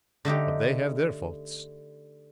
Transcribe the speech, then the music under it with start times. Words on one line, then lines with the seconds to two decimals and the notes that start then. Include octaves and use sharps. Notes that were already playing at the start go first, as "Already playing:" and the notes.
But they have their faults.
0.25 D3 A3 D#4 G4